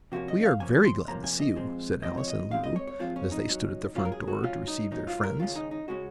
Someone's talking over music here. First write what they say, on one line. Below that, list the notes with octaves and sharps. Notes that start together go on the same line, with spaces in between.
"We are very glad to see you," said Alice and Lulu, as they stood at the front door to receive their friends.
C3 F3 A#3 C#4 F#4
D#5
F5
C3 F3 A#3 C#4 G#5
C6
C3 F3 A#3 C#4 A#5
G#5
D#5
A#2 F3 G#3 C4
A#2 F3 G#3 C4 D#5
C#5
D#5
A#2 F3 G#3 C4 F5
D#5
C#5
C#5
A#2 F3 G#3 C4 F4
C#4
D#4
G#2 F#3 C#4
G#2 F#3 C#4 F4
A#4
G#4
F#4
G#2 F#3 C#4 F4
D#4
G#2 F#3 C#4 D#4
F4
A#4
D#2 C#3 G#3 C#4 F4
D#4
D#4
C#3 G#3 C#4 F#4